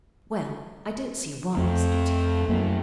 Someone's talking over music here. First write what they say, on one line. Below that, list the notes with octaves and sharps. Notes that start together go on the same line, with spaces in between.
"Well, I don't see why," said Octavia.
F2 A3 C4
F#2 A#3